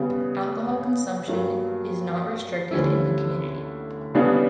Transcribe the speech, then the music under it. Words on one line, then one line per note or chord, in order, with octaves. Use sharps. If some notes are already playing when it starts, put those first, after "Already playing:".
Alcohol consumption is not restricted in the community.
Already playing: C#3 G3 B3
G2 F#3 A#3
D2 D3 G3 C#4 E4
C#3 G3 B3 D4